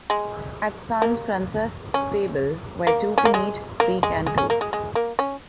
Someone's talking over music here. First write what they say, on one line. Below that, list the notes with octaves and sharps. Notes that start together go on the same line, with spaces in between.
At Sant Francesc’s table, where two can eat, three can too.
G#3
A#3
C#4
A#3
C#4
A#3
G#3
A#3
G#3
G#3
C#4
A#3
G#3
G#3
A#3
C#4